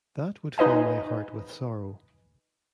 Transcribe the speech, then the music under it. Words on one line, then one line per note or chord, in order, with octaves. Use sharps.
That would fill my heart with sorrow.
D#4 B4 D#5 G#5